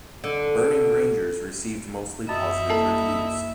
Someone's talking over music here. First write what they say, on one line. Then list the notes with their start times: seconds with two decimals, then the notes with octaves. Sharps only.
"Burning Rangers" received mostly positive reviews.
0.24 D3
2.29 F#2 D#5 E5 B5
2.70 A#3 E4 A4